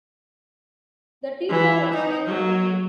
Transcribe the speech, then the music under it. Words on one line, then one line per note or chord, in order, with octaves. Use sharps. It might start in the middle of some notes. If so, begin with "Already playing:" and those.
The teacher was placed on leave.
E3
D#4
F#3